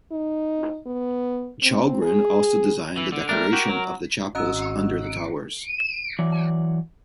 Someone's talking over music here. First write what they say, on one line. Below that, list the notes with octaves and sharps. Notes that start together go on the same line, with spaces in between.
Chalgrin also designed the decoration of the chapels under the towers.
D#4
B3
C4
G#4
E3
D3
G3 A3 D4 A#4
F#4 G4
F#3
G#1 C#4 F#4 D#5 A#5 E6 F#6
E3 F#3 D5